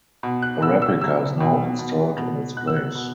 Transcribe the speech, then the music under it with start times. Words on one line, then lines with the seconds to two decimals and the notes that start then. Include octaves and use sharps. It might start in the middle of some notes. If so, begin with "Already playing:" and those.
A replica is now installed in its place.
0.23 B2
0.42 F#6
0.62 B2 E6
0.82 E6
1.01 F#3 E6
1.40 B2
1.79 B2
2.17 B2
2.56 B2 F#6
2.67 E6
2.76 F#6
2.95 B2